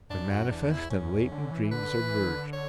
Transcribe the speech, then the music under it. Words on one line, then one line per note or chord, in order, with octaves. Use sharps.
The manifest and latent dreams are merged.
F#2 D4
F#4
E2 D4
E4
F#2 C#4
E2
D3
E3
D3 B4
E3
D3
C#5